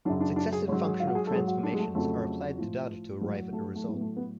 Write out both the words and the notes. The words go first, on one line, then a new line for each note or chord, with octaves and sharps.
Successive functional transformations are applied to data to arrive at the result.
F#2 C#3 F#3 D4
D4
D4
G#4
G#2 F#3 C#4
G#4
F4
F#4
G#4
A4
G#2 F#3 G#4
F#4
D4
G#3
A3
F2 C#3 F#3 A3
A2 F3
A2 F#3 G#3
A3
A3
A2 F#3 G#3
B3
A3
B3